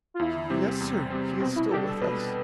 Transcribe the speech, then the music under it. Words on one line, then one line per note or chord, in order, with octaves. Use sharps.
"Yes, sir, he is still with us."
F4
E2 E4
C3 G3 C4
E2
C3 G3 C4
B2 C4
E4
G3 D4 G4 A4
A4
B2 B4